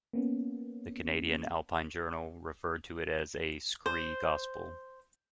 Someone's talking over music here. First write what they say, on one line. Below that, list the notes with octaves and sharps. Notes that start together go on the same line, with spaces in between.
The "Canadian Alpine Journal" referred to it as a "scree gospel".
A#3 B3 C#4
C5